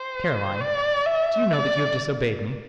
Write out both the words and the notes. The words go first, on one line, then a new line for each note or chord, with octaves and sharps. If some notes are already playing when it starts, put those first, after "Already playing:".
"Caroline, do you know that you have disobeyed me?"
Already playing: C5
D5
E5
D5